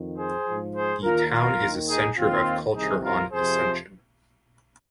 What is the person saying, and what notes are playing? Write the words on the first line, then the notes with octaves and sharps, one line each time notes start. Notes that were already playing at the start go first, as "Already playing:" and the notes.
The town is a centre of culture on Ascension.
Already playing: F2 D#3
G#4 C5
G#2 F3
G#4 C5
D#2 D#3 F4 A#4
F4 A#4
D#2 D#3
D#4 G#4
D#2 D#3 C4 F4
C2 C3 D#3 D#4 G#4
F4 A#4
F2 C3 F3 G#4 C5